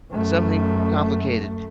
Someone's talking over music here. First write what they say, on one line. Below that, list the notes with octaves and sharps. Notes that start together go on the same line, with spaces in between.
something complicated,
F#2 A3